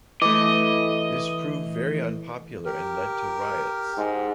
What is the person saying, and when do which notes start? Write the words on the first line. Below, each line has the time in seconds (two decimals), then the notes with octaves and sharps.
This proved very unpopular, and led to riots.
0.22 E3 A3 D#5 D6
2.65 G4 A#4
3.97 G#2